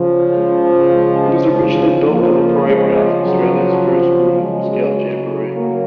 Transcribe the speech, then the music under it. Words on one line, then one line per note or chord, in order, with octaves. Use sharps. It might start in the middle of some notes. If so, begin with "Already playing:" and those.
It was originally built for the parade grounds of Australia's first World Scout Jamboree.
Already playing: C#3 F3
G#3
G#3
G#3
C#3 F3 A#3
G#3
F#3
C#3 F#3 G#3
A#3